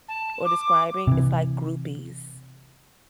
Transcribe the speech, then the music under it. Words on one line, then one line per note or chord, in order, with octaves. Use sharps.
or describing, it's like groupies.
A5
D6
C3 E3